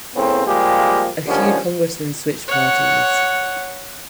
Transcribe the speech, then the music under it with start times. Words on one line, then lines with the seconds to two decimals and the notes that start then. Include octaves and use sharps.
A few Congressmen switched parties.
0.14 A2 C#3 B3 C4
0.45 F3 G3 G#3 A#3 G4
1.26 D#2 D3 F3 G3 C#4
2.48 C#5 F#5